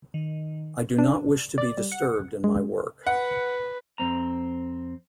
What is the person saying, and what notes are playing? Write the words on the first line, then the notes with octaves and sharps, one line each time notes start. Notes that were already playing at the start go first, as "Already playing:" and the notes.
I do not wish to be disturbed in my work.
D#3
D4
D5
G3
F#5
G#3
B4 F#5
F2 C4 A#5